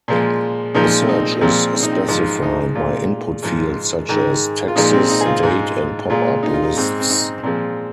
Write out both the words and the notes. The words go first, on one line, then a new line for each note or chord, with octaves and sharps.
A search is specified by input fields such as: texts, date and popup lists.
A#2 F3 G#3
A#2 F3 G#3 D#4
C4
D#4
A#2 F3 G#3 C4
C4
D#4
C4
G#2 F3 G#3 D#4
D#4
A#2 G#3 F4
G#2 F3 G#3
G#2 D#3 G#3
F4
A#2 F3 G#3 D#4
C4
D#4
G#4
F4
G#2 G#3
A#2 G#3 F4
D#4
F4
D#4
G#2 G#3 C4
C4
D#4
A#2 F3 G#3 C4